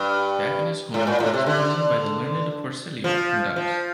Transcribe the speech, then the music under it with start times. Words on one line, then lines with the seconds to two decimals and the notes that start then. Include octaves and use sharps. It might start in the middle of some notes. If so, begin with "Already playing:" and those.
Back in his home he is poisoned by the learned Porcellio and dies.
Already playing: G2
0.94 A2
1.07 A#2
1.20 A2
1.34 C3
1.46 D3
3.04 F3
3.56 F3